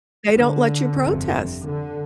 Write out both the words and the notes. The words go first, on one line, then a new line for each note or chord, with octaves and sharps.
They don't let you protest.
D3
G1 F2 C3
D3